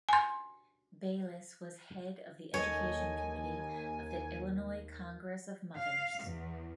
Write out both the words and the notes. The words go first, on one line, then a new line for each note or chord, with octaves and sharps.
Bayliss was head of the Education Committee of the Illinois Congress of Mothers.
G#5 C6
D#2 A4 C#5 D#5 G#5
F5
E2